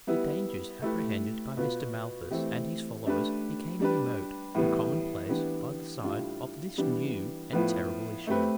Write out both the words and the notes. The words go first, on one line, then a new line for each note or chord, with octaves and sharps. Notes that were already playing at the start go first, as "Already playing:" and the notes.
The dangers apprehended by Mr. Malthus and his followers become remote and commonplace by the side of this new and terrible issue.
G3 B3 E4
A3 E4 G4 B4
B2 B3 F4 B4
E3 A3 C4 G4
A3 D4 G4 B4
G3 D4 G4 B4
A2 E3 G3 B3
E3 B3 D4 G4
A2 G3 D4 F4
E3 G3 B3 D4 G4
A2 F3 B3 F4 B4
A3 C4 G4 B4